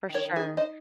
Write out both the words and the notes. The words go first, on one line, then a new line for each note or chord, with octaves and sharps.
for sure.
D#3
A#4 C#5
D#3
G#4 C5
D#4
D#4 C5 D#5